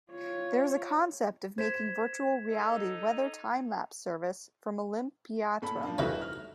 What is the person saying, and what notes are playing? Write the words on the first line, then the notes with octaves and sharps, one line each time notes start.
There is a concept of making Virtual Reality weather timelapse service from Olympiaturm.
F4 C#5
C5 G#6 B6 E7
D#4 A4
A#2 A4 B5
F3 A#3 D4
F2 E3 B3 D#4 F#4 E5
F6